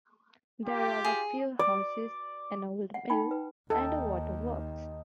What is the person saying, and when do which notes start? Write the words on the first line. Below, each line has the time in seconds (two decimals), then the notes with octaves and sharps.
There are a few houses, an old mill and a water works.
0.66 F4 G4
1.05 G#4
1.59 D5
2.94 F#5
3.10 D#4 G5 B5
3.31 B4
3.70 D#2 D#4 A4 G5 A5